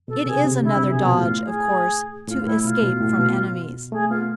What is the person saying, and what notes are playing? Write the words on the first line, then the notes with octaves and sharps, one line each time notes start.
It is another dodge, of course, to escape from enemies.
B2 A4
C3 G#4
C3
D3 E4
C3
B2 G#4
B2
A2 F4
G#4
A2 F4
A2 E4
B2 F4
B2
A2
B2
A3 G#4
B3 F4